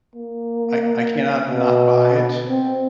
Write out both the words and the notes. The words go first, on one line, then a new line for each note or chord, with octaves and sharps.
I I cannot not buy it,
A#3
B2
C4